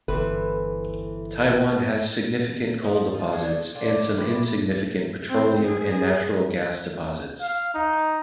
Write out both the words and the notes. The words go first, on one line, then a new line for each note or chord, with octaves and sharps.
Taiwan has significant coal deposits and some insignificant petroleum and natural gas deposits.
G1 E3 C4 A4 B4
F3 A4 C5 D#5
F4
A3 D4 G#4 A4
D4 F4 A4
F3 E4 G4 B4
C4
G#4
F5
D#4